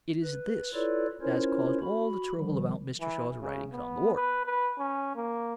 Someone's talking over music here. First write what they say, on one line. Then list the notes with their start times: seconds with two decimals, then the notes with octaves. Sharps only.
It is this that has caused all the trouble about Mr. Shaw's writings on the war.
0.23 B4
0.74 E4 F4 A4 B4 C#5 D5
1.22 C#4 E4 F4 A#4 C5 C#5
1.81 F#4 B5
2.36 D#3 F3 G3
3.01 E3
3.40 C#3
3.72 B3
4.14 B4
4.45 B4
4.78 C#4
5.15 A#3